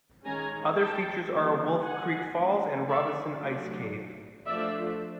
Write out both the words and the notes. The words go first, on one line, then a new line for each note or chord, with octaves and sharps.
Other features are Wolf Creek Falls and Robinson Ice Cave.
D#3 G#3 C#4 G#5 A#5
G5 A5
E3 G3 A#3 D4
F#5 G#5
F3 A3 C#4
D5 E5
F#3 A3 D4
F3 A3 D4 D5 E5